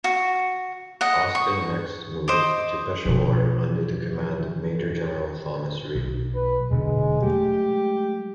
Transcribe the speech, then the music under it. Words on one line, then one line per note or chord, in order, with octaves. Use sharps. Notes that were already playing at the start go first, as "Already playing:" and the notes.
Austen next moved to Peshawar under the command of Major General Thomas Reed.
F#4
D#5 F#5
C#6
C5 D#5 D6
B2 F3
B1
B4
E1 B2 D3 G#3
F#3 G#3 A3 G4